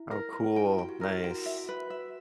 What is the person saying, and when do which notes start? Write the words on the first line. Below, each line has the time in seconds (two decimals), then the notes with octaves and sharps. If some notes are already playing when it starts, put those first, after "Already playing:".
Oh, cool. Nice.
Already playing: E4
0.11 A#4
0.33 A#4
0.56 E4 G5
0.66 F#4
0.78 F#4 G5
0.89 G4
1.00 E4 A#4
1.15 F#4
1.24 G5
1.31 F#4
1.46 E5
1.69 B4
1.90 E5